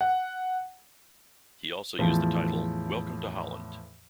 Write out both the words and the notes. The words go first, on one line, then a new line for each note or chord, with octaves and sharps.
He also used the title "Welcome to Holland".
F#5
E2 A2 E3 F3